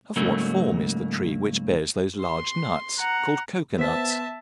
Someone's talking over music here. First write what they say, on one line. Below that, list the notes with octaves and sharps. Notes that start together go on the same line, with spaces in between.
Of what form is the tree which bears those large nuts, called Cocoa nuts?
G#2 C#3 F#3 A3 A#3
C6
F#5 A#5
B3 C5 E5 A5 B6